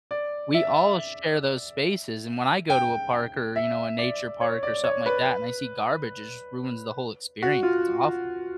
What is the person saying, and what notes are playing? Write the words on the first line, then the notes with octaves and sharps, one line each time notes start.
we all share those spaces, and when I go to a park or, you know, a nature park or something like that, and I see garbage, it just ruins the whole experience, it's awful.
D5
E5
G5
E5
D5
C#5
D5
C#5
B4
F#4
F4